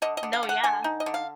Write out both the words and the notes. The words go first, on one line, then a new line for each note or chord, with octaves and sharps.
No, yeah.
D3 D#5
D#5
D3
F5
D3
F#5
D3 G#5
D#4
D#5
D3
F5